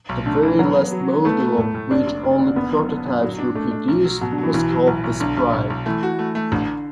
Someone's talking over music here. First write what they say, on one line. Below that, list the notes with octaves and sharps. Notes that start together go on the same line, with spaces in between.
The very last model, of which only prototypes were produced, was called the Sprite.
B1
D3 A3
B1 E3
F#3 B3
B3
F#3
B3
A3 B3
B3
A2
A2
F#1 D4
F#1
F#1
D3
F#1 B3
F#2
D3
F#2
F#3
D4
A3 D4
D4
B1
F#3
B2 F#3
D3
F#3
E3
B1 E3
F#3
B1
B1
B1 D3
B1
B1
B1
E3 A3
F#4
A3
A3
A1 D3